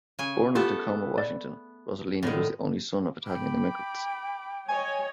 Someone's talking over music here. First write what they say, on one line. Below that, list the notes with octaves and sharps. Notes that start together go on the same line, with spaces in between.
Born in Tacoma, Washington, Rosellini was the only son of Italian immigrants.
C#3 G#5
A3 B3 F4 G4 A4
D5
A2 D3 D#3
G5 B5 D6
C#5 D#5 G#5